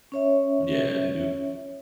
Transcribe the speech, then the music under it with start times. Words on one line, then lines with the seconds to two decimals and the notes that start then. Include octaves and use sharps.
Yeah, new
0.12 C#4 C#5 E5